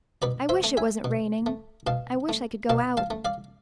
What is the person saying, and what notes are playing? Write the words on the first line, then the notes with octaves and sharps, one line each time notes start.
I wish it wasn't raining; I wish I could go out.
B2 B4 D5
C5 E5
A3
E5 G#5
B2
A3
B2 F5 A5
A3
B2 F5 A5
F5 A5
A3
D5 F5